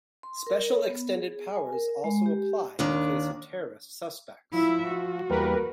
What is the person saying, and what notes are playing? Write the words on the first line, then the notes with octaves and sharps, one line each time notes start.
Special extended powers also apply in the case of terrorist suspects.
C6
A#4
C#5
B3
G#4
G#5
A#4
G#3
G4
D#2 D#3 D4
F3 E4 E5
F#4
E2 G3 A#3 A#4 B4